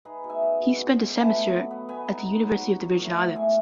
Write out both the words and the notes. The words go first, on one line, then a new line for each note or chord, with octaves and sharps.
He spent a semester at the University of the Virgin Islands.
D#4 G#4 B4
B2
E5 G#5
B2
B2
B2
B2
A3 G#5 B5
B2
F#3
B3
B3 G#5 B5
D#4
D#4
F#3
F#3
F#3
A2
A2
G#3 E5 G#5